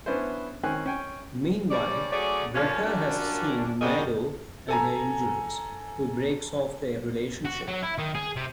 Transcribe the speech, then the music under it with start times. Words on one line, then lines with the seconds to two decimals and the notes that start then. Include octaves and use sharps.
Meanwhile, Grutter has seen Mado and her injuries, who breaks off their relationship.
0.06 B3 C#4 D4 E4 B4 C5
0.63 D#3 C4 C#4 G#5 F#6
0.86 C#4 G5 G#5
1.71 G2 G3 C#4 D5
2.12 F#3 A3 C#4 G#4 D5
2.55 D3 F3 A#3 C#4
2.85 F#2 A#2 G3 C#4 D4
3.81 G2 G3 F#4 G#4 A#4 D#5
4.68 A4 G#5 A#5
7.45 F#4
7.68 F#3
7.83 E4
7.98 D#3
8.15 G#4
8.36 C3